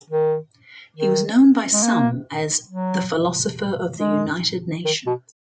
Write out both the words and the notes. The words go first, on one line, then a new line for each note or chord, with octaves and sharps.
He was known by some as "the philosopher of the United Nations".
D#3
D#3
G#3
A#3
F#3
G#3
D#3
B2